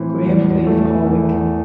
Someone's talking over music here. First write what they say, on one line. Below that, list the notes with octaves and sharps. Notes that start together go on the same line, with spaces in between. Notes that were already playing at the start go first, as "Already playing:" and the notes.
Graham played for Hawick.
Already playing: A2 E3 C4
E2
A3
E2